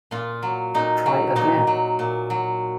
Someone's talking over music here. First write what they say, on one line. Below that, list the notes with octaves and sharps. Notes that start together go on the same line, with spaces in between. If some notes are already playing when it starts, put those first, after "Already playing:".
Try again?
A#2 F4
F#3
A#2 D#4
F#3
A#2 D#4
F#3
A#2
F#3